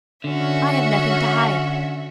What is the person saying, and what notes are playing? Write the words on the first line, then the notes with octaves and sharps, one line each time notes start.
I have nothing to hide.
D3 C#4 F#4 E5